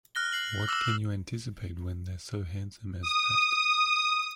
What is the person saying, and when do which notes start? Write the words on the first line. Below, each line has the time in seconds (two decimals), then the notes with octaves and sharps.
What can you anticipate when they're so handsome as that?
0.15 F6 F#6 A#6 G7
0.32 F#6 C7 F#7
0.68 D6 E6 A#6 E7
3.02 D#6